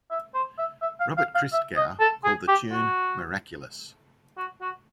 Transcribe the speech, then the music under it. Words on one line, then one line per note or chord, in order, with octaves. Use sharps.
Robert Christgau called the tune "miraculous".
E5
C5
E5
E5
F5
F5
F5
E5
D#5
A4
G#4
G4
F#4
F#4
F#4